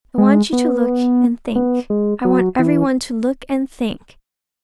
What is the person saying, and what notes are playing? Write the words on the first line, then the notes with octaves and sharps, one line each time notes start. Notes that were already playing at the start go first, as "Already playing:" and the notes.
I want you to look and think. I want every one to look and think.
G#3
B3
B3
G#3
F#3
E3